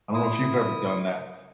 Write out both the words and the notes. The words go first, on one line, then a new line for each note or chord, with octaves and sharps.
I don't know if you've ever done that.
E4 D#6